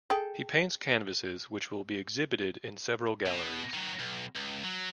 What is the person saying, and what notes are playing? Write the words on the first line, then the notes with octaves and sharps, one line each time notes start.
He paints canvases which will be exhibited in several galleries.
G#4 A4 G5
B2
D#3 F#3
B1
C#2
F#3